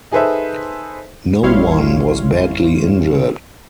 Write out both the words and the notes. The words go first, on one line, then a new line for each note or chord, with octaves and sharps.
No one was badly injured.
D#4 G#4 A4 B4 C5 E5
A1 G3 E4 C#5 F5 C6